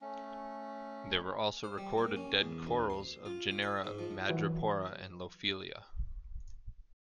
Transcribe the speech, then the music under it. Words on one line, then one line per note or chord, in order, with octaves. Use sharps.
There were also recorded dead corals of genera "Madrepora" and "Lophelia".
A3 C#4
C5
G3
A#3
C#4
E2
D2
C6
F4
F5
B4
G#2
F3
E3 F#3